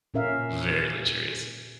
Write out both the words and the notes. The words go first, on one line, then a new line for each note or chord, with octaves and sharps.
Very luxurious.
A#2 C#4 A#4 E5 F5